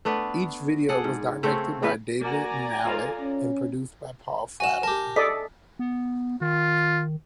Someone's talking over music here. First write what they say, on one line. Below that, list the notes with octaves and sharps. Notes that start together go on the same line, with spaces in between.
Each video was directed by David Mallet and produced by Paul Flattery.
A3 B3 D4 B4
G#4 A4 D5 F#5
G#2
C#3 A3 C4 C#5
C#3 E3 B3 B4
A#3 F#4 D5 G#5 A#5
F4 A4 F5
C#4
F#4 F#5 G#5 E7
G4 A#4 A5
A4 D5 D#5 B6
B3
D#3 F4